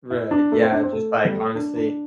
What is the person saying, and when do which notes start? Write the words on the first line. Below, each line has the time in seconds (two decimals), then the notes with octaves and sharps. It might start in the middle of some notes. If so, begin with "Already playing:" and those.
Right, yeah, just, like, honestly,
0.11 E4
0.31 D4
0.52 A3
0.62 C4
0.72 D4
0.83 C4
0.93 A3
1.25 G3
1.35 A3
1.55 D4
1.76 D4